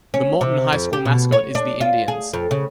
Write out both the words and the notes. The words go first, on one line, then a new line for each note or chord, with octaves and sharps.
The Morton High School mascot is the Indians.
C#4
C3
F2
G4
B2
C#5
D4
F4
G#4
F2
C#3